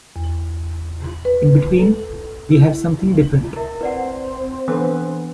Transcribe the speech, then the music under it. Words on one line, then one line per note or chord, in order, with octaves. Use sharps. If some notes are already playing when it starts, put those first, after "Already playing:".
In between we have something different.
E2
B4
A4
E4
E4 A#4 E5
C4 E4 B4 D5 F#5
E3 B3 D4 A4 B4 C5 D#6